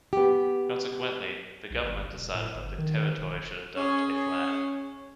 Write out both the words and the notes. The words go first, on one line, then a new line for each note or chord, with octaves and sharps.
Consequently, the government decided that the Territory should adopt a flag.
B3 G4
B1
G1
E1
A2
G1
D#3
E1
C#4 G#4